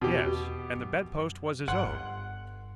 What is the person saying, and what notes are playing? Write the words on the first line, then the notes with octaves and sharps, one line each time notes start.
Yes! and the bedpost was his own.
E2 B2 G4
F#2
G1 F#5 C6 F#6